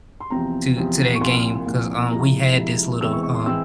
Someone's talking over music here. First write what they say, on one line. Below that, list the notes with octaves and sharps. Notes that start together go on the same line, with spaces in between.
to to that game 'cause, uh, we had this little, um
C6
E2 C3 F3 C4 A#5
E2 C3 F3 C4
C#6
C2 A#2 F3 C6
C2 A#2 F3
F2 C3 F3 G#3 E4 A#5
F2 C3 F3 G#3 E4
E2 E3 G#3 C4 E4 E6
C#6
C#6
C6
E3 G#3 C4 E4 E6